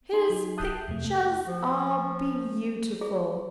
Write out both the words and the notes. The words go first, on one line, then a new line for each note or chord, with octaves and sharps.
His pickchahs are beautiful.'
D#4 C6
F#3 D#4
E5 A5 D#6 F#6 G6 C7
F2 C3 A3
A3
F3
G#4